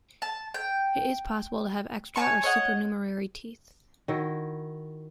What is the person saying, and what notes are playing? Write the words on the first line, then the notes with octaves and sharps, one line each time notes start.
It is possible to have extra, or "supernumerary," teeth.
A5
G5
C#5 G#5 A5 C#6
C#5 D#5 F#5
D#3 E4 F#4